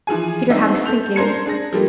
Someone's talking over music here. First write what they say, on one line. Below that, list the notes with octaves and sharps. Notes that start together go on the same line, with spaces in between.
Peter had a sinking.
E3 F3 G#4 G#5
B3 C4 D4 D#4 E5
A4 G6 F7
D4 A#4 C5 G#6 C#7
D4 G#4 A#6
F3 G3 A3 A#3